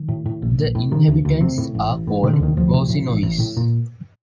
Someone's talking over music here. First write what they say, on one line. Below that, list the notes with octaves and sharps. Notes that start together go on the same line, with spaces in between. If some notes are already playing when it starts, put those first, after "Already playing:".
The inhabitants are called "Vouzinois".
Already playing: D#3
A2
A2
A#1
A#1
A2
C3 D#3
D2
D2
C3
A2
A1
A1
A2
C3 D#3
D3
D2 D#3
D2 F3
C3
A2
A1
A1
A2
A#2